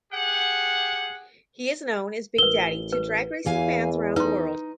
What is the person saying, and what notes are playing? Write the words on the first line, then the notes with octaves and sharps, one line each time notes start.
He is known as "Big Daddy" to drag racing fans around the world.
G4 G#4 F#5
A1 A#4 B4 G7
B4
E2 E3 F5 G#5
D#4 B4 C6